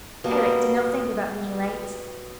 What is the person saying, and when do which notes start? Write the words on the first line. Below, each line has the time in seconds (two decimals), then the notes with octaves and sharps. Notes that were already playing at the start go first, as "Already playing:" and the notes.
Eric did not think about being late.
0.24 B2 G3 A#3 A5